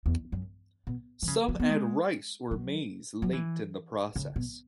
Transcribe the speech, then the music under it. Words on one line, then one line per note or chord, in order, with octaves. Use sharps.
Some add rice or maize late in the process.
E2
F#2
B2
E3
C#3
F#3
B3
G#3
F#3
F#3
E3
C#3
B2